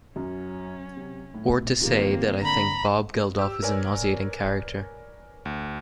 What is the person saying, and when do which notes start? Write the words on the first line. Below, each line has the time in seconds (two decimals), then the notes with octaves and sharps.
Or to say that I think Bob Geldof is a nauseating character.
0.16 F#2 F#3 C#4
0.97 C3
1.34 A2
1.80 D#3 F3 A#3 C4 G4
2.42 D3 A#5 B5
3.39 G4 E6
3.63 A#4 B4 C#5 D5 G#5
5.45 D2